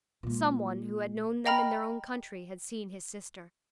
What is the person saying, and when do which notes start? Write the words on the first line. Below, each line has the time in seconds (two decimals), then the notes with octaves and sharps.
Some one who had known them in their own country had seen his sister.
0.23 A#2 G#3
1.46 D#5 G5 A#5 B5 F6